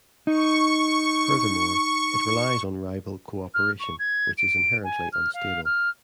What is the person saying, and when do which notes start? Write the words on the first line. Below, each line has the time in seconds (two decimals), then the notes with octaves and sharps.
Furthermore, it relies on rival co-operation, which is inherently unstable.
0.27 D#4 C#6
3.54 F6
3.80 C#6
3.99 G#6
4.38 D7
4.84 G#5
5.13 F6
5.34 F5
5.65 F6